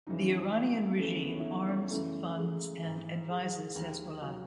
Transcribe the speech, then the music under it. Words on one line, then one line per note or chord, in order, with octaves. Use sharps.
The Iranian regime arms, funds, and advises Hezbollah.
F#2 C#3 E3 D#4
C#4
C#4
C#4
C#2 C#3 E3 A3
A3
B3
C#4
E4
D#4
C#4
F#2 C#3 E3 A3
G#3
G#2 E3
G#3
D#2 D#3
F#3